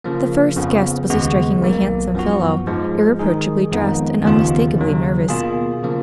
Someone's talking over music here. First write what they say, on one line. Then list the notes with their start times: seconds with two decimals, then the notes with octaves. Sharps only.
The first guest was a strikingly handsome fellow, irreproachably dressed and unmistakably nervous.
0.04 C#3 F3 A#3
0.56 F2 C#3 F3 B3
1.09 D#2 C#3 G#3 B3 F#4
1.62 B1 B2 A#3
2.14 F#2 F3 B3 F#4
2.67 G#2 F3 G#3
3.19 D#3 G#3 D#4 G#4
3.72 F2 D#3 G#3 B3 D#4
4.25 D#2 C#3 F3 B3 F4
4.77 D#2 C#3 F#3
5.29 B2 A#3 F4 G#4
5.83 C#3 F3 A#3